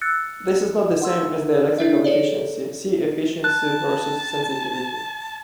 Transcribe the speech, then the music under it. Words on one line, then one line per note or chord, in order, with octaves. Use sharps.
This is not the same as the electrical efficiency; see Efficiency versus sensitivity.
E6 F#6 A6 C#7
F#5 C6 E6
D4 E4 E5
G#4 A4 C#5 D5
A5 F#6